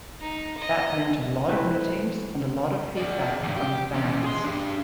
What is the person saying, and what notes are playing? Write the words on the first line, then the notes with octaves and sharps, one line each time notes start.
That meant a lot of meetings and a lot of feedback from the fans.
D#4
D#5
E3 A3 C4 B4
G#4 D5
E2 G2
G4
E3 C#4
G#4 C6
D4 G4